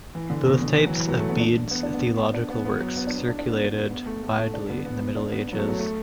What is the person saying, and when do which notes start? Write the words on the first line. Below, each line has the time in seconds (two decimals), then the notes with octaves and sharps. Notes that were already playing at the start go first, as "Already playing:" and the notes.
Both types of Bede's theological works circulated widely in the Middle Ages.
0.15 E3
0.30 D3
0.46 B2
0.62 D3
0.77 E3
0.86 F#3
0.97 E3
1.08 F#3
1.19 A3
1.29 B3
1.40 D4
1.71 B3
1.83 D4
1.94 B3
2.34 D4
2.50 B3
2.65 B3
2.81 F#3
2.97 B3
3.07 D4
3.18 B3
3.28 D4
3.39 D4
3.49 B3
3.91 B3
4.06 A3
4.23 A3
4.38 A3
4.54 D4
4.69 B3
4.85 B3
5.01 B3
5.16 D4
5.32 B3
5.48 F#3 B3
5.58 A3
5.69 F#3
5.79 A3